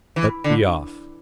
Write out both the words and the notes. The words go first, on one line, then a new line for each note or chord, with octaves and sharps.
But be off!
E3
D3